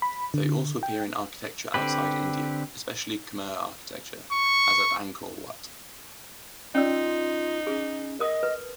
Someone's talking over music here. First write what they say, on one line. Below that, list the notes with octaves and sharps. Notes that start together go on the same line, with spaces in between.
They also appear in architecture outside India, especially Khmer architecture, as at Angkor Wat.
B5
D3
G5
D3 C4 G4 B4
C#6
C#4 D#4 F4 D5 E6
C#4 G#4
A#4 D#5 D#6
B4